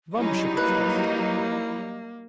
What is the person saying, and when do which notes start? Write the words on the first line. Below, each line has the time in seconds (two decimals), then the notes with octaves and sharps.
Rum shook its fist.
0.16 F#3 G3 C#4 D#4 E4
0.57 A#3 B4